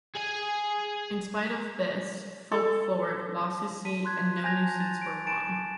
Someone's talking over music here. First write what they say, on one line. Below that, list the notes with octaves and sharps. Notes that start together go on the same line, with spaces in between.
In spite of this, Folkvord lost his seat and no new seats were won.
G#4 G#5
A4
A5 B6 D#7
C6 F#6 G#6
G#5 A5 G6 G#6 A#6 F7
A6
D7
G#5 A5 A6 D7 E7